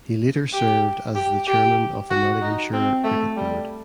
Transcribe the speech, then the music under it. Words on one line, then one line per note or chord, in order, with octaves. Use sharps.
He later served as the chairman of the Nottinghamshire Cricket Board.
G4
G4
G4
F#4
D#4
C4
A3
G3